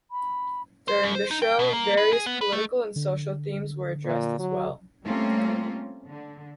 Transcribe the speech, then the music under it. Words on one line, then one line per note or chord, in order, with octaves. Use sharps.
During the show, various political and social themes were addressed as well.
B5
C5
F#2
C5
D#4
G5
B2
A#3
B4
G#4
B3
B4
A3
D3
A#2
F#3
G3 A3 A#3 C4 C#4 F4
D3